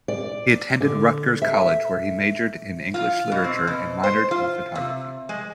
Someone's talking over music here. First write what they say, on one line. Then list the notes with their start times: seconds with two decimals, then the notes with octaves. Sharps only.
He attended Rutgers College where he majored in English literature and minored in Photography.
0.08 D5
0.81 D3
1.42 E5
2.94 F4
3.32 B2
3.44 C4
3.67 B2
4.03 C5
4.31 F4
4.75 C3
5.29 G#3